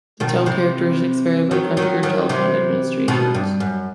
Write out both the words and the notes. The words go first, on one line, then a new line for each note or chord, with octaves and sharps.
The tone characteristics vary by country or telephone administrations.
B2 D#3
C3 E3
D#3 F#3
D#3 F#3
D#3 F#3
C3 E3
B2 D#3
G2
F#2